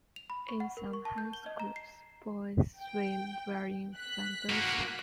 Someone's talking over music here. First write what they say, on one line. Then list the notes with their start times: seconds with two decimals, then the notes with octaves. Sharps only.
In some high schools, boys swim wearing fundoshi.
0.16 F7
0.30 B5
0.48 C#6
0.60 F#5
0.77 A#4
0.93 C#6
1.05 A5
1.18 G6
1.33 G7
1.46 D#5
1.60 A#5
1.76 C7
2.79 G5
3.96 F#6 B6
4.49 A#3 F#4